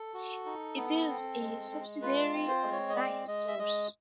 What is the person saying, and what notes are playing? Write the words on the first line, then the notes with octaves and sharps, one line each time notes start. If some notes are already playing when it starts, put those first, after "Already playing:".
It is a subsidiary of NiSource.
Already playing: A4
F#4
D#4
B3
C4
G#3
G#3
F4 B4
C4
C5
G#3
C#5
D#5
C4 D5
G#3 D#5
E5
G#3 D#5